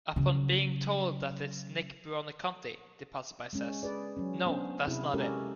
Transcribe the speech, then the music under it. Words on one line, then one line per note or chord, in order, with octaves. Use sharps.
Upon being told that it's Nick Buoniconti, the passerby says, No, that's not it.
C#3 F#3
G#3 C#4
G#4 B4 D5
F#3 C#4
B3 C#4 D4 C5
C3 C4 E4 G#4
G#3 C#4 F#4 G4 A4 A#4